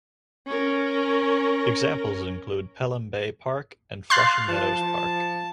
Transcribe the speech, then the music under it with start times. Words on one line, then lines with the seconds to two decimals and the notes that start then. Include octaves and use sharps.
Examples include Pelham Bay Park and Flushing Meadows Park.
0.46 C#4 A#4
4.10 F5 C6 F#6 A6
4.48 F3 A5